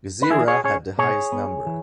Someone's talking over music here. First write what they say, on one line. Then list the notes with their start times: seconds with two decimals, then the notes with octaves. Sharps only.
Gezira had the highest number.
0.22 B4
0.30 E3 E4 G#4
0.48 G#4 C#5
0.64 C#4 G#4 C#5
0.98 B2 G#4 C#5
1.32 B3
1.66 E3